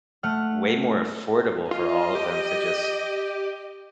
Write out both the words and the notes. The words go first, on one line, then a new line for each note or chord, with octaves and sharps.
way more affordable for all of them to just
A3 F#5 F6
F4 D#5
G4